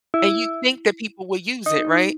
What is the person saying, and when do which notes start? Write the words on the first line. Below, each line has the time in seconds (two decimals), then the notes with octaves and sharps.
and you think that people will use it, right?
0.14 E4
1.66 D#4